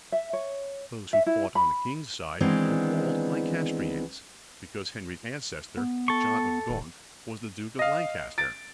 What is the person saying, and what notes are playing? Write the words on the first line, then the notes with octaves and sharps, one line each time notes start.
Those who fought on the king's side were called Lancastrians, because Henry's ancestor, John of Gaunt, was the duke of Lancaster.
E5
C#5
E5
E4
B5
D#3 E3 G#3 B3 C4 D4
B3
A4 C#6
D#1
D#5 F5
A6 D7